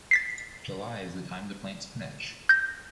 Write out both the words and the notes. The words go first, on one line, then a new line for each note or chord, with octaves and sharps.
July is the time to plant spinach.
A6 B6 C7
G6 A#6